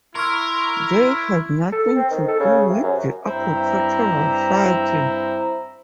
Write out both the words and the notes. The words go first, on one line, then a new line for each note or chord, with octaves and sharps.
They had nothing to do with the agricultural cycle.
E4 A#4 C6 C#6 F6
A4
C4
D#3
A4
C#3
C3
F#2
G2 C4 E4 C5 E5 A#5